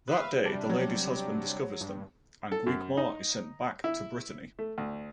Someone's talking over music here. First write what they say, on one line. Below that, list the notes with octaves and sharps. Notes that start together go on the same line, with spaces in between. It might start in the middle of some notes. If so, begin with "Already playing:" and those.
That day, the lady's husband discovers them, and Guigemar is sent back to Brittany.
B4 E5 F5
C3 G3 D4
F#3
G2
A4
F#2
D#4
E4
A3
D2